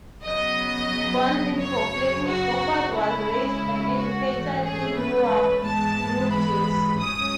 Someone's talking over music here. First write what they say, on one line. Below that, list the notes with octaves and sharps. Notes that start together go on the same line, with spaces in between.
Born in Brooklyn, Lockwood was raised and educated in Newark, New Jersey.
C#3 F#3 B3 D#5
F#2 C#3 F#3 C#5
F#4
C#3 G#3 C#4 E4
F#4
G#2 E3 A3 C#4
G#4
B4
G#2 E3 G#3 B3 A5
B5
G#2 F#3 A3 C#4 D#6